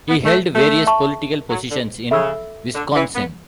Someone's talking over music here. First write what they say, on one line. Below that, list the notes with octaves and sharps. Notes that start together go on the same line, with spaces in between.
He held various political positions in Wisconsin.
B3
A3
A3
E5 A5 C#6
F#3
D3
C#3 A4 E5 B5 E6
D3
E3
B3